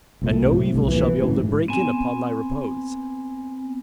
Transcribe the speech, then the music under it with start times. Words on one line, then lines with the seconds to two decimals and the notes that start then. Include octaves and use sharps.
And no evil shall be able to break in upon thy repose.
0.22 C2 A#2 A3
0.45 A2 C3
0.74 C2
0.88 D#1 D2 A#2 E3
1.22 A2 C#3 E3 F#3
1.35 G#2
1.68 B3 C4 G#5